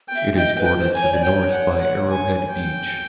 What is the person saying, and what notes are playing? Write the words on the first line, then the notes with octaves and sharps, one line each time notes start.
It is bordered to the north by Arrowhead Beach.
G5
E5
D#5 G5
B4
G5
C5
G#5
C#5
D5
C#5 G5
F#5
F#5
G#5
G5